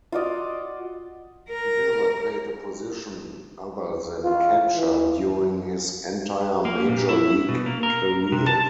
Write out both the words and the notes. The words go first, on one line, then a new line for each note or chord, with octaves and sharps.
He never played a position other than catcher during his entire major league career.
F4 F#4 D5 D#5
A#4
F4
E3
A#3
A#2
E4
B2
A#3
A#4
C3
A5